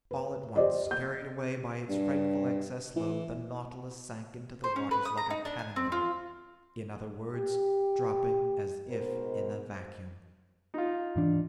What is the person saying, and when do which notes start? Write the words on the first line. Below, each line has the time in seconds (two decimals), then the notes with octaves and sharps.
All at once, carried away by its frightful excess load, the Nautilus sank into the waters like a cannonball, in other words, dropping as if in a vacuum!
0.11 B4
0.56 G4 C5 D5 D#5
0.91 G6
1.89 G2
2.96 E3
4.64 C5
4.76 C#4
4.91 B4
5.05 D#6
5.17 A#5
5.30 D#4
5.45 D4
5.59 G#5
5.76 C4
5.92 F4
7.33 G4
8.89 G#2 B2 A#4 C5
10.74 D#4 F4
11.16 G#2 E3 D4